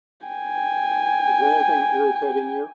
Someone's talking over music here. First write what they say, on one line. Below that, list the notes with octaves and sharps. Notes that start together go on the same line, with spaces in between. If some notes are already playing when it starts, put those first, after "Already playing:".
Is anything irritating you?
G5 G#5